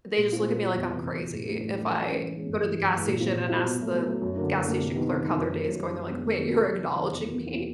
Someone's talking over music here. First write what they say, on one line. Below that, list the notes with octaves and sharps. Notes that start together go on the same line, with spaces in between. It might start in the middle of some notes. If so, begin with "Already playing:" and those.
they just look at me like I'm crazy. If I go to the gas station and ask the gas station clerk how their day is going, they're like, "Wait, you're acknowledging me?"
A#2
G3 C4 F4
A#2
G3 C4 F4
E2
C3 E3
E2
C3 E3
A2
F#3 A3 D4
A2
F#3 A3 D4
E3
G#3 C#4
E3
G#3 C#4
G2
E3 G#3
G2
E3 G#3
A#2
G3 C4 F4
A#2
G3 C4 F4
B2
F#3 A3
B2
F#3 A3
F#2
D3 F#3 A#3 D4
F#2
D3 F#3 A#3 D4
C3
D#3 G3 B3 D#4
C3
D#3 G3 B3 D#4
F#2
D#3 G3 A#3
F#2
D#3 G3 A#3
F#2
D#3 G#3 B3 D4
F#2
D#3 G#3 B3 D4
C3
D#3 F#3
C3
D#3 F#3
E2
B2 G3 A#3
E2
B2 G3 A#3